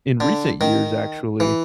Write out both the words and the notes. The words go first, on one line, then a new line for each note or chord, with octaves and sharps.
in recent years, actually,
D3
D#3
E3